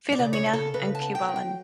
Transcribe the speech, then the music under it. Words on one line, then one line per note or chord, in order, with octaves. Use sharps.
Filomena, and Kiwalan.
D5
C#3
C#5
C#3
A4
C#3 B4
A5
B3
G5
F#3
G5